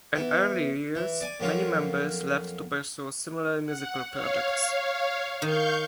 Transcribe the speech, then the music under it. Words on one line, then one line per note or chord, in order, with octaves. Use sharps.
In early years, many members left to pursue similar musical projects.
E3 B3
E3
D5 G#5
F2 F#3 A#3 C#4 F4
F#5
C#5 F5
D#3 F5 C#6 G6